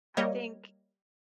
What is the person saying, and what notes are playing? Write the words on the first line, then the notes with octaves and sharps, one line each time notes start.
I think
G3 A#3 A#4 C#5 D#5